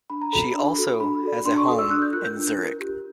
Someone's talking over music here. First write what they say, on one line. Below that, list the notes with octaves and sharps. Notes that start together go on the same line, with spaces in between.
She also has a home in Zurich.
D4 B5
A#5
F#4 A4 B5
D4
F#4 A4
D4 B5
F#4 A4 D5
D4 C6
C#6
F#4 A4 D5 D#6
E6
D4 F#6
G6
F4 A#4 F#6
G6
D4
F4 A#4
G4